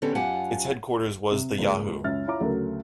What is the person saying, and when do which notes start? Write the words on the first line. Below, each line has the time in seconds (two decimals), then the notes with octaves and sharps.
Its headquarters was the Yahoo!
0.02 D3 B3 C#4 G4 A4
0.15 F#2 F4 G4 F#5 G#5 A5
1.31 C3
1.58 C#2 G#2 G#3 A#3
2.04 C#2 F#2 C#4 E5 F6 A6
2.27 E4 F4 C#5 E5 A#5 D6
2.41 D2 C#3 F#3 A3 A#4